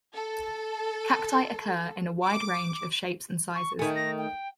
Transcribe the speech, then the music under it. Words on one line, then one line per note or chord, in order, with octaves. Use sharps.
Cacti occur in a wide range of shapes and sizes.
A4
D6
C#6
D#3 A3 G#5
A#6
G5